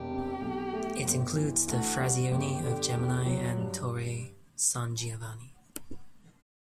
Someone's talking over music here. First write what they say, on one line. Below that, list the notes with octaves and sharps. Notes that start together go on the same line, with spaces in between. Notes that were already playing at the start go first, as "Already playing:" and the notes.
It includes the "frazioni" of Gemini and Torre San Giovanni.
Already playing: E1 G4
C3
B1
A3
G1
E3
D2 F#4
G3
G1 G4
D3
E2
F#3
G2